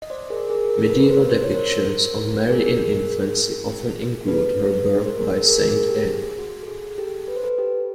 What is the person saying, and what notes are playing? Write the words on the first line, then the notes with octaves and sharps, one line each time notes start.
Medieval depictions of Mary in infancy often include her birth by Saint Anne.
D#5
C5 D5
G#4 A#4
G#4 A#4
G#4 A#4
A4 B4
B4
A#4 C5
C5
C#5
A#4 C5
G#4 A#4
A4 B4
A#4 C5
G#4 A#4
G#4 A#4
G#4 A#4
G4 A4
G#4
F#4
A4
G#4
G4 A4
B4
C5
A4 B4
G4 A4